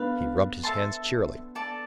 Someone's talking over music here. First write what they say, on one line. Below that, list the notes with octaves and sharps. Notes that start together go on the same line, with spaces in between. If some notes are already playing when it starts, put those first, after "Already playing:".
He rubbed his hands cheerily.
Already playing: B3 D4 B4 F5
A4 E5 A5 C6
A4 D5 A5